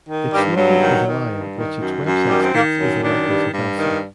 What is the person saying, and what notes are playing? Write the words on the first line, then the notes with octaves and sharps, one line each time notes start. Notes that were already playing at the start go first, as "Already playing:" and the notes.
Its logo is a lion, which its website states is a likeness of Elsa.
D#3
G2 G3
G2 F#3
D#3
D#3
G2
D#3
F#2
F#2
D#3 G3
C4
D#3 A#3
F#2
D#3 D4
G2
G2
D#3